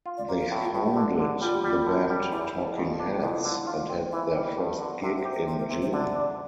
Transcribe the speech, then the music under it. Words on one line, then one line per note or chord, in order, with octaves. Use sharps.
They founded the band Talking Heads and had their first gig in June.
F4
D5
A#3 C5
A#4
A2
F4
A2 F4
G4
D3
D3
G3 F4
G4
G3 F4
D3
G3
E2 E4
E2
F2
D4
F2 E4
D3
F4
C4
E3 E4
G3
G2
D3
C3 A#4
C5
G4
C5
C3 C5
A#4
C3 C5
C5
D3 D5
D4